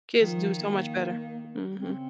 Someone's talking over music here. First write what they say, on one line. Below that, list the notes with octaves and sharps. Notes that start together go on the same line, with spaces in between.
Kids do so much better. Mhm.
D#3 F3
A#3
C#3 C4